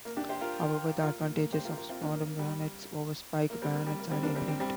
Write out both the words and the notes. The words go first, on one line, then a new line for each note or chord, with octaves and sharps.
However, the advantages of sword bayonets over spike bayonets are evident.
A#3
D4 G4
G4 C5
F4 A#4
F4 A#4
A#3
A#3
G4 C5
F4 A#4
F4 A#4
C4 F4
A#3 D4
A#3
A#3
G3
A#3
G3 C4
A#3
G3
A#3
G3 C4
A#3 D4
G3 C4
G3 C4
G3 C4